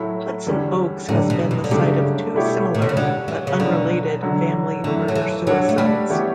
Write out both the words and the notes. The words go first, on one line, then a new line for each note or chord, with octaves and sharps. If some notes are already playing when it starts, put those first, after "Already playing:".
Hudson Oaks has been the site of two similar but unrelated family murder-suicides.
Already playing: A2 F#3 A3 E4
E2 D3 G3 C#4
F#2 A2 D3 G3 D4
B2
B2
D3
G2 C#3 F#3 A3 D4 G4
B2 A3 E4 G4 C#5
A2
B2
C#3
D3 G3 C#4 F#4 C#5
E3
C#3
E2 B2 D3 F#3 B3
D3 F#3 C#4
F#2 D3 E3 A3
F#3
E3
F#3 G3 D4 F#4 A4 C#5
A3
G3
E3 B3 E4 G4 C#5